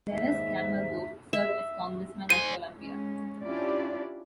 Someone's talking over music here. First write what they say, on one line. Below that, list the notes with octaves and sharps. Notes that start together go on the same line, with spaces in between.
Lleras Camargo served as congressman of Colombia.
D#2 G#2 E5
E5
C5 G#5 D#7
G#3 C#4
C#4 D4 E4 F4 G4 D5